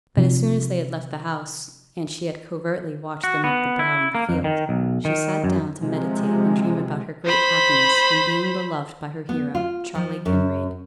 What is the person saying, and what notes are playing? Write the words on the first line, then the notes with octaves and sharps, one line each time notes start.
But as soon as they had left the house, and she had covertly watched them up the brow in the field, she sate down to meditate and dream about her great happiness in being beloved by her hero, Charley Kinraid.
C3 F3
F#4
B3
E4
A#3
F2
D#3
B1
D#3
F#2
C3 F3 G#3
C5 B5
B3
F4
F3
F#2